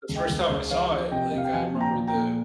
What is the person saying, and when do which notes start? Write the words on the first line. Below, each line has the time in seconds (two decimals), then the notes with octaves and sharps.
the first time I saw it, like, I remember the
0.09 C#2
0.16 D#5 G5
0.30 C#2
0.43 C5 D#5
0.50 C#2
0.71 F3 C#5 F5
0.92 F3
1.11 C3 D#5 G5
1.30 D#5
1.33 C3 F5
1.45 G5
1.53 F3 F5 G#5
1.74 A#2
1.80 G5 A#5
1.94 F3
2.08 G5 A#5
2.14 A#2